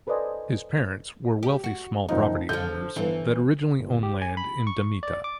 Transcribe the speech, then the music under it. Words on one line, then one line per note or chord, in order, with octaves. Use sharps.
His parents were wealthy small-property owners that originally owned land in Damietta.
A4 B4 C5 D5 D#5 G#5
G4
F#4
F#1 E2 F3 D#4
D3 F3 G6
G1 E3
G1
G4
G#5
B5
C#6
D5
D6